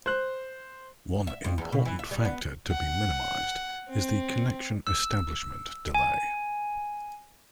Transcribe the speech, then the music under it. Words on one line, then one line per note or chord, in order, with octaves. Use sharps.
One important factor to be minimized is the connection establishment delay.
C5 F#6
E5
F2
E2
B2
E3
E5
G3
B3
F#5
C4
E6
G#5